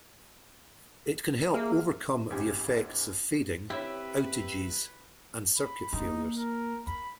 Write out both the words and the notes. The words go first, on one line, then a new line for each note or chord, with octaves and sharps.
It can help overcome the effects of fading, outages, and circuit failures.
A#3 G#4 E5 F6
G#1 C#2 G#3 G4 G#4 G#6
C4 E4 G4 B4 E5
B5
A#3 D#4
A#4
B5